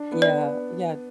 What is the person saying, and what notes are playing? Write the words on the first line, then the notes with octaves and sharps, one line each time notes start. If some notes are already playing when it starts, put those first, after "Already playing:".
Yeah, yeah.
Already playing: D4
B3
D5